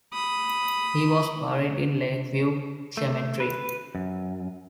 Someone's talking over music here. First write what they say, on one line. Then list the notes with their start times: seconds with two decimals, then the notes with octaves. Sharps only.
He was buried in Lake View Cemetery.
0.13 B5 D#6
2.97 A3
3.40 B4
3.95 F#2